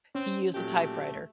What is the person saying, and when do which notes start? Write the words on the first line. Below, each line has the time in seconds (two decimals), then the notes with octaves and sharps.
he used a typewriter.
0.15 C4 C#4
0.54 A#2 F#3 A3 G4